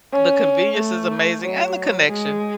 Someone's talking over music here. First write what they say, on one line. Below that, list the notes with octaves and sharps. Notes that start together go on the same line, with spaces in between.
The convenience is amazing, and the connection.
C#4
A3
F#3
G#3